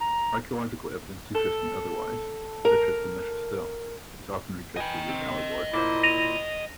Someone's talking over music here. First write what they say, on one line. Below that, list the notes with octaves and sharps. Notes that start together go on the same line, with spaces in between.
Archaeological evidence suggesting otherwise, such as the Mesha Stele, is often rejected as allegorical.
A#5
A4
A#4 A#5
B4 D#5 G5 G#5
C4
A#2 E4 C5
A#6 D#7 F7